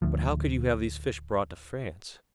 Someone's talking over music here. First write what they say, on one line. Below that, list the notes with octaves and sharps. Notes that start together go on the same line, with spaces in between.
"But how could you have these fish brought to France?"
D1 D2 F3